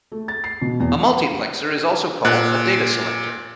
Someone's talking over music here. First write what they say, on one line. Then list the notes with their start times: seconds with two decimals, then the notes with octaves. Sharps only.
A multiplexer is also called a data selector.
0.12 A3
0.28 A6
0.44 C7
0.62 B2
0.80 E2
2.25 A#2 F#6